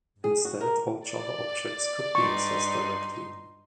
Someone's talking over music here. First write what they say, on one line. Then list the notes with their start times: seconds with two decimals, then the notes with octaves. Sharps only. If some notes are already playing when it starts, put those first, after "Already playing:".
Instead, all Java objects could be accessed directly.
0.24 G#4
0.45 F#4
0.61 A#4
1.06 D5
2.15 G2 D#4 C6 C#6